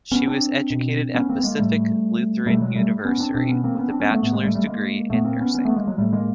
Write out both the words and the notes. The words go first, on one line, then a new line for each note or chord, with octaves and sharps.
She was educated at Pacific Lutheran University with a bachelor's degree in nursing.
B3 C#4
C4 D4
B2
B3 C#4
A#3 C4
B3
G#3 A#3
A2 G3 A3
B2 G3 A3
F#3 G#3
G3 A3
B3 C#4
C4 D4
B2 C4 D4
B3 C#4
A#3 C4
B3 C#4
C4 D4
B3 C#4
A3 B3
A2 A3 B3
G#3 A#3
G3 A3
G3 A3
G#3 A#3
A#2 A3 B3
A#3 C4
B3 C#4
B3 C#4
A3 B3
G#3 A#3
F#3 G#3
A2 G3 A3
G#3 A#3